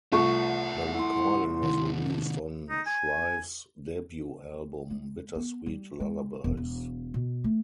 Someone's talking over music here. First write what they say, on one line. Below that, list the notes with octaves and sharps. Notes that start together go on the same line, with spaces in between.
The recording was released on Shrieve's debut album "Bittersweet Lullabies".
C2 A3 F4 E5 F#5 C#6
E4 C6
C3 D#3
D#4
G#5
G#3
B3
G3
G#3
E1
E1
B2
A3